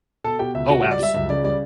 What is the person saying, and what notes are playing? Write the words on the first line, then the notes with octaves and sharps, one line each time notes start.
Oh, absolutely.
B2 A4 A5
B2 G4 G5
C#2 E5
C#2 F#4 F#5
F#4 F#5
G3
D5
G3 E5
C#2 E5
C#3 D5
G3 D5